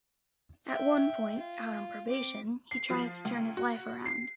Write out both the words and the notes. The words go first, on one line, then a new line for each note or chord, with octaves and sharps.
At one point, out on probation, he tries to turn his life around.
E5 G5
F4
C4 D6
C7
F3
C#2
F#4
C7